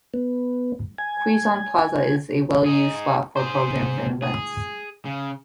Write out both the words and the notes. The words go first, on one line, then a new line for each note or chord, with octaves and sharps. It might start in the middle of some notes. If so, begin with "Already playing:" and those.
Quezon Plaza is a well used spot for programs and events.
B3
G#5
D#4 G#4
G#4 C5
G#4
C#3